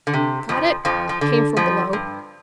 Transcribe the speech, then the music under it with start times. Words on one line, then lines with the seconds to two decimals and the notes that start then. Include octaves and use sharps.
"Got it?" came from below.
0.07 D3
0.13 C3
0.49 F2 F3
0.85 F2 F3
1.09 F3
1.21 D3
1.57 F2 F3
1.93 G2